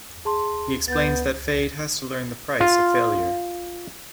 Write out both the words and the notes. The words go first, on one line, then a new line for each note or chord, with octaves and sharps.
He explains that Feyd has to learn the price of failure.
G#4 A5 C6
B3 G6 A6
F4